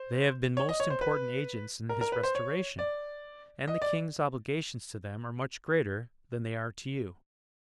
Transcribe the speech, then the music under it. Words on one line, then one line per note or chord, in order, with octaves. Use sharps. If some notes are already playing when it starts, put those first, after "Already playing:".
They have been most important agents in his restoration, and the king's obligations to them are much greater than they are to you.
Already playing: C5
C#5
D#5
C#5
C5
B4
A#4
A#4
B4
C5
C#5
D5
D#5
D5